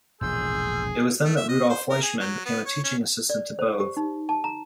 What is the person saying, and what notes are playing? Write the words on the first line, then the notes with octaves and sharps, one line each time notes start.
It was then that Rudolf Fleischmann became a teaching assistant to Bothe.
E1 A#1 A2 G#4 C6 E6 G6
A3
E5
D#5
C5
A#4
G#4
F#3
B3
C#5
C#4
D5
C5
G4
D#4
A5
A#5